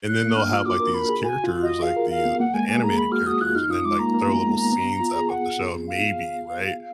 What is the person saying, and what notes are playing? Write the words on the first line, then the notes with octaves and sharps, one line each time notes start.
and then they'll have, like, these characters, like the, uh the animated characters, and then, like, throw little scenes up of the show, maybe, right?
F#6
A#3
D4 F6
F4
F#4 D6
A#4
A#4 B5
G#4
F#4 G#5
F4
F4
F#4 D#5
G#4 F5
A#4
F5
B3
A#3 F#5
G#3 G#5
A#3 G#5
G#4 A#5
B5
F#4 F6
F#4 D#6
F4 F#6
D#4 F6
F4 D#6
G#3 D6
A#3 A#5
A#3
B3
G#3
A#3
B3
F4
G#4
F#5
F5